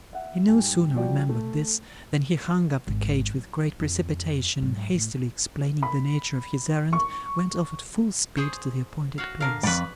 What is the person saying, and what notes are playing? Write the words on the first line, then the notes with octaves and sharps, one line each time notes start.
He no sooner remembered this, than he hung up the cage with great precipitation, and hastily explaining the nature of his errand, went off at full speed to the appointed place.
E5 F#5
G#2 G3 G5 G#5
F3 G3 F#4 D5 G5
A3
G#1
F#3
F2
G#2 F#3
A2
B5
C#6
G#4 C5 C#5
F#4 C#5 F5
D3 A#4 F5
F2 G#2 B4 C#5 D5